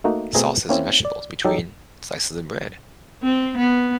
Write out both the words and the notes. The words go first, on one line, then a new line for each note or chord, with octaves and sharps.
sauces, and vegetables between slices of bread.
A3 A#3 D#4 F#4
B2 A3 C4 G#4 E5 A#5
A#3 C4 C#4 E4
D5
F#3 D#4 G4 A4
C4
B3